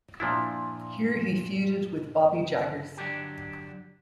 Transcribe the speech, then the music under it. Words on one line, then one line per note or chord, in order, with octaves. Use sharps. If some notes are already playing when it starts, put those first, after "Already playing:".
Here he feuded with Bobby Jaggers.
A#2 F3 D4 E4
D3 F#3 D4 G4